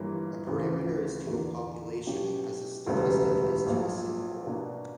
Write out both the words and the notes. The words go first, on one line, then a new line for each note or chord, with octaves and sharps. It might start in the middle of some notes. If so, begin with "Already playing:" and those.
A parameter is to a population as a statistic is to a sample.
Already playing: G1 G2 E3 A#3
D2 C#3 E3
E2 D3 A#3
B2 F#3 C#4 G4
E1 D2 C#3 G3 B3
A#1 A#2 F#3
B2 A#3 D4 F#4